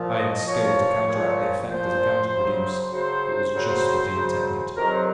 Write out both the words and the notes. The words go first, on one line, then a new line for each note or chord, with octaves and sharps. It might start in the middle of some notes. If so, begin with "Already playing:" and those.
I hadn't skill to counteract the effect his account had produced: it was just what he intended.
Already playing: A#2 F3
C#5
D#5
A#2 F3 C#5
A#2 F3
A#2 F3 C5
F#2 C#3 F#3
F#2 C#3 F#3 C5
F#2 C#3 F#3
F#2 C#3 F#3
F2 C3 D#3 F#3 A#4
C5